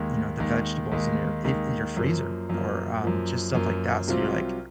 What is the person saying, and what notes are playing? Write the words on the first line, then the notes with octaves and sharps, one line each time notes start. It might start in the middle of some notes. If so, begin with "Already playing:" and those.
you know, the vegetables in your if in your freezer or, um, just stuff like that, so you're like
Already playing: D#2 D#3 G#3
D#2 D#3 G#3
D#2 D#3 G#3
D#2 D#3 G#3
F#2 F3 A#3
F#2 F3 A#3
F#2 F3 A#3
F#2 F3 A#3
C2 C3 F#3 C4 F4